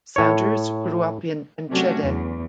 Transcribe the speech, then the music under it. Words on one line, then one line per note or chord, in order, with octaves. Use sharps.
Sanders grew up in Enschede.
A2 C#5
C3 F#3 A3 C#4 D4 F#4
E2